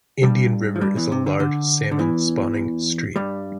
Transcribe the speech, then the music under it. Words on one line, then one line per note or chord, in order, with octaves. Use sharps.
Indian River is a large salmon-spawning stream.
G2 G3
F3
G2 G3
E2 E3
C3
D3
D3
D3
E2 E3
G2 G3